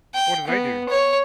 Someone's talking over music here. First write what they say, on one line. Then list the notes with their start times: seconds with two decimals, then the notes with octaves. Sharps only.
What do they do?
0.14 G5
0.48 B3
0.89 C#5